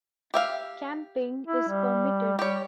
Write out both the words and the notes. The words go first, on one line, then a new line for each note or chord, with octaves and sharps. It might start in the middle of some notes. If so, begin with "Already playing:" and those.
Camping is permitted.
G4 E5 F5
E4
G3
G3 G4 C#5